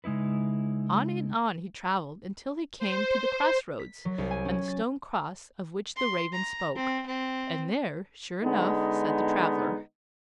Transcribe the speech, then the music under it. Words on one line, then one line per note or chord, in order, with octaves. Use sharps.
On and on he travelled, until he came to the cross-roads and the stone cross of which the raven spoke, and there, sure enough, sat the traveller.
C#3 G#3 D#4 E4 B4
C5
B6
F#3
C2
G#5
C#4
A6
C6
A#5
C4
C4
D3 G#3 B3 D#4